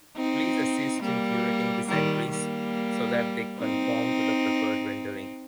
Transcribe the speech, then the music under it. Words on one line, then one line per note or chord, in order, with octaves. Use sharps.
Please assist in curating these entries so that they conform to the preferred rendering.
C4 D#4
G3 A#3
D#3 G3
G3 A#3
C4 D#4